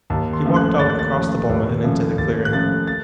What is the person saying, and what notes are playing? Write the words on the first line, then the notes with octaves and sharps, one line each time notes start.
He walked out across the boma and into the clearing.
D#2 A5
C6
C#3 F3 A3
F#6
D#2 A6
F#6
A6
C#3 F3 A3
D#2
C#3 F3 A3
D#2 A6
F#6
C#3 F3 A3 A6
A6